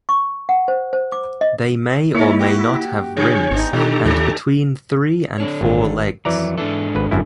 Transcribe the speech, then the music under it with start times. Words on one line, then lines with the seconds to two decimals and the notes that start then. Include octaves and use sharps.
They may or may not have rims and between three and four legs.
0.09 C#6
0.49 F#5
0.68 C5
0.93 C5
1.12 D6
1.41 D#5
2.14 A#3 D#4 E4 C#5
2.39 F#4 G4
3.17 C#3 G3 G#4 C#5
3.51 G#1 B3 D4 D#4
3.73 B2 D3 D#3 G4 A4 A#5
4.05 D#2 D#3 A3 D4
5.38 D3 D4 C#5
5.61 G#1
6.25 F2 E3 F#3 D5 A#5
6.58 G#2 E3 D4 A4
6.95 G#1 B4
7.11 G1 F#2 E4